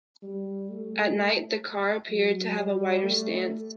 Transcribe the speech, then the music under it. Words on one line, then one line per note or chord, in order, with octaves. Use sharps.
At night, the car appeared to have a wider stance.
G3
A3
F#3
G3
A3